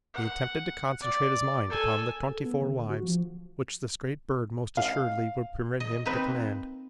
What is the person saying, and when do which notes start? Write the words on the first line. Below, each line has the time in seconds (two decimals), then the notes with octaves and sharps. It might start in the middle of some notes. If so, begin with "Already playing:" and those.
He attempted to concentrate his mind upon the twenty-four wives which this great bird most assuredly would permit him to command.
0.14 F#5
1.01 D5
1.70 A4 G#5
2.29 A4
2.45 B3
2.61 D3
2.90 F#4
3.03 F3
4.77 F5
5.80 D#5
6.05 A#3 C4 D#4 B4